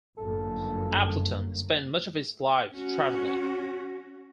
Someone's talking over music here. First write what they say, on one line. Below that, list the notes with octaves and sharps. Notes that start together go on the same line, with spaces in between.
Appleton spent much of his life traveling.
G1 F#2 A#3 A4
C#4 F#4